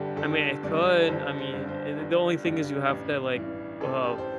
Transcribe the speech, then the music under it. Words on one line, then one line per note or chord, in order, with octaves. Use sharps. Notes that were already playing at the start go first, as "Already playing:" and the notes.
I mean, it could I mean, eh, the the only thing is you have to, like well
Already playing: G1 G2 D3 G3 G4 A4
G1 A4
G2 D3 G3 D5
A4
G1 C5
C5
G2 D3 G3
C5
G1
G2 D3 G3
A1
G2 E3
A1 A4
G4
C5